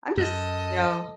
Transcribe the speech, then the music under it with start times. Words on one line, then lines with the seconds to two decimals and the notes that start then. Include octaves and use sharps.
I'm just, you know,
0.17 F#2 A4 D#5